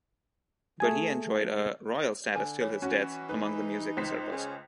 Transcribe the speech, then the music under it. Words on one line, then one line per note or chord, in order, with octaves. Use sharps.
But he enjoyed a royal status till his death among the music circles.
A3 G#4 G#5
D3 G#5
E3 C#5
C#4 F#4
D#4 B4
C#2 C5 B6
G#3 C#4